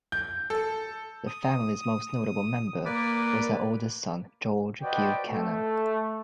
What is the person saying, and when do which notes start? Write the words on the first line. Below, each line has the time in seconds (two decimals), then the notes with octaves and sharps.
The family's most notable member was their oldest son George Q. Cannon.
0.12 G6
0.50 A4
1.27 D#6
2.85 A#3 B4 D5
4.82 F#4 B4 C5 D5 D#5 G5
5.28 A3